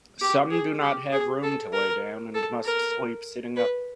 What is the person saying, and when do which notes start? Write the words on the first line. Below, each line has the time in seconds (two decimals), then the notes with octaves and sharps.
Some do not have room to lay down and must sleep sitting up.
0.21 G4
0.51 G#4
0.82 G4
1.12 G#4
1.43 A4
1.73 A#4
2.34 A4
2.65 A#4
3.56 B4